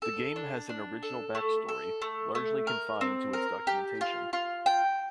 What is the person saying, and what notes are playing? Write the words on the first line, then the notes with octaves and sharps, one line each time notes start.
The game has an original backstory, largely confined to its documentation.
A4
D4
D4
A4
A3
A4
A3
A3
A#4
C4
A#4
G4
F4
F4
G5